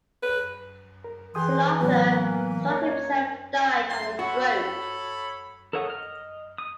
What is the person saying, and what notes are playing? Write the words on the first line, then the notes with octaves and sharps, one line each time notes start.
Soon after, Struve himself died of a stroke.
B4
A#4
E3 G#4 G5 C6 D#6
A2 F#3 B3 B4
A#3
A#4 C#5
C6
F#4 A4 C#5 B5
A4 A#4 C#5 F#5 D#6
D#5 F6
D#6